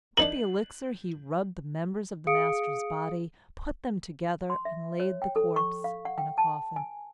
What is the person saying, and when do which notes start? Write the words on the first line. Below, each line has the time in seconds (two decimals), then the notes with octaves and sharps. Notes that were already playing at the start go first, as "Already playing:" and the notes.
With the elixir he rubbed the members of the master's body, put them together, and laid the corpse in a coffin.
0.17 D4 D#4 A#4 F#7
2.27 G#4 F5 D#6 C#7 D7
4.50 C6
4.65 E5
5.00 C#5
5.22 G5
5.36 A4
5.56 C#6
5.84 F5
6.05 F#5
6.18 G5
6.38 A5
6.76 G#5